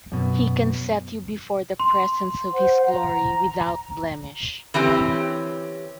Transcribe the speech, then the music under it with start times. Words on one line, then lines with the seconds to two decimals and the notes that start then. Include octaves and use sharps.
He can set you before the presence of his glory without blemish.
0.12 F#2 B2
1.80 C6
2.51 C5 F#5
2.86 A#5
4.74 E3 C4 C#4 G4